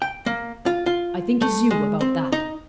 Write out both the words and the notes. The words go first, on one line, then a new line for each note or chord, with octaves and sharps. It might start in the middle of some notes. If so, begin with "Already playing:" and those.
"I think as you about that."
G5
A#3
F4
F4
A3
G#3
C4
D#4